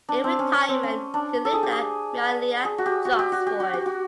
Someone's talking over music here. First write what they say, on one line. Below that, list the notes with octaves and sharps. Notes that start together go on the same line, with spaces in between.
In retirement he lived at Meon Lea, Droxford.
D4
C4
C#4
C#4
C4
C#4
D4
A4
G#4
G4
G#4
G#4
F#4
G4
F#4
G4
F#4
G4
F#4
G4
F#4